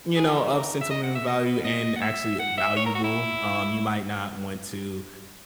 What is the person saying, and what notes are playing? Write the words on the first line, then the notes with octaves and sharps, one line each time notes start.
you know, of sentimental value and actually valuable, um, you might not want to,
G#4
A#4
G#4
A#4
E5
D#5
F#5
E5
D#5
B4
D#5
F#5
E5
F#5
E5
C#5
A#4
F#4
E4